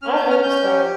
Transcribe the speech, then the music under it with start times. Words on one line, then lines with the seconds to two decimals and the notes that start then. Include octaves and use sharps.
I hope so.
0.02 C#4 F6
0.16 G6
0.23 C#4
0.30 F6
0.43 C#4 G6
0.64 G4